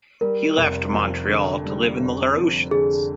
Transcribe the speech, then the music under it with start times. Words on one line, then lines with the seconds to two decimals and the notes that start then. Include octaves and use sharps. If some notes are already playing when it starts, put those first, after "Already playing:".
He left Montreal to live in the Laurentians.
0.21 G3 A#4
0.57 F1
0.93 F2
1.28 D3
1.64 G3
2.01 F1
2.36 F2
2.71 D3 G#4